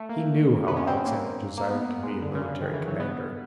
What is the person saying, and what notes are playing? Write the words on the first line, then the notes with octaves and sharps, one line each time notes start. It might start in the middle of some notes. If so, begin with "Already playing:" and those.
He knew how Alexander desired to be a military commander.
Already playing: A3
A#3
B3
C#4
C4
B3
A#3
A#3
B3
A#3
G#3
D3
C#3
D3
D#3
E3
F#3
B3